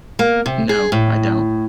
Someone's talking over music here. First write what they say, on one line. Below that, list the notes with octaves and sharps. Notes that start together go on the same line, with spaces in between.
No, I don't.
A#3
C3
G#4
A2